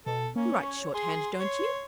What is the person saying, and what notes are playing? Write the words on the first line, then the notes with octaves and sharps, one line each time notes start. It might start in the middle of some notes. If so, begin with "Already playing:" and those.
You write shorthand, don't you?'
B2 A4
A#3 C#4
C#5
G#4 C6
C#5